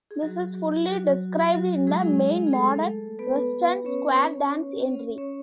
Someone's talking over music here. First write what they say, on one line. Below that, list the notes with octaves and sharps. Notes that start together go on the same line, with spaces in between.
This is fully described in the main Modern Western square dance entry.
G#4
F#3 F#4
F#3 F#4
F#3 F#4
G#3 G#4
G#4
A3 A4
B3 B4
C#4 C#5
C#4 C#5